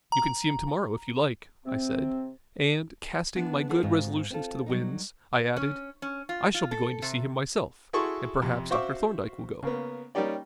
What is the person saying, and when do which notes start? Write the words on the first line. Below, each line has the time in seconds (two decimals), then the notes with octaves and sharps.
"You can see him to-morrow, if you like," I said; and, casting my good resolutions to the winds, I added: "I shall be going to see him myself, and perhaps Dr. Thorndyke will go."
0.12 A#5
1.66 C3 C4
3.35 E3 B3 D4
3.69 B3 D#4 G#4 A4 B4 C5
3.83 G#2 C4 D#4 F4 F#4
4.30 C4 E4 F4 A4
4.66 F#3 G3 D#4
5.56 C#4
6.02 C#4
6.29 F4
6.54 F4
6.71 A4
7.02 C3
7.93 E4 F#4 G#4 A4 C6 C#6
8.42 F2 C3
8.70 F#4 C5 E5 F5 C#6 D6
9.63 C#3 A#3 B3
10.15 G3 A#3 C#4 D#4 G4 D5